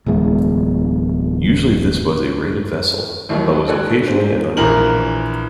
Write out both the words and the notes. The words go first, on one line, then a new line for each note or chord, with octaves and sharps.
Usually this was a rated vessel, but was occasionally an unrated one.
D1 E2 G#3
A1 D#2 D#3 F#3
G#1 A4 D5 G#5 F#6
D4 C5
A#1 E3 A#4 F#7